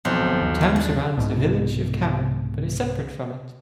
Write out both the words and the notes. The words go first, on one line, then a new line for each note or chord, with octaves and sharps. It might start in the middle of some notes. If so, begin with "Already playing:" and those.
The town surrounds the village of Cameron but is separate from it.
B1 F3 C4
G1
D#2
F#1 D3 A#3 B3 G#4
A1 F#2 A2 D4
C2 G#2 B2